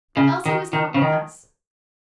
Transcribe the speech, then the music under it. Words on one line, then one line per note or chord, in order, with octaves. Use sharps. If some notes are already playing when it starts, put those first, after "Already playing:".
But Elsie was not with us.
C#3
D#3
D#3
C#3
D#3